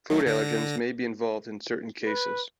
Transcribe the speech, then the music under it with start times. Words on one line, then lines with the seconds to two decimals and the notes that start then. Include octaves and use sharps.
Food allergens may be involved in certain cases.
0.10 F#3 A3
0.26 D3 A#6
2.06 B4